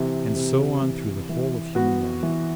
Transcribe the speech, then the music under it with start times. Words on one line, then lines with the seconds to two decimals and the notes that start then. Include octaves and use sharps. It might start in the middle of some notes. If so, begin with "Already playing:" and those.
And so on through the whole of human life.
Already playing: C3 E3
0.36 C3
0.82 E3
1.29 E3
1.75 B3 F#4
2.23 E3